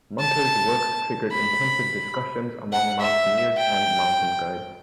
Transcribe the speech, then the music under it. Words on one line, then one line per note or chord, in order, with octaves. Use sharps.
Munter's works triggered intensive discussions among mountaineers and mountain guides.
A5
B5
F#5
E5
G5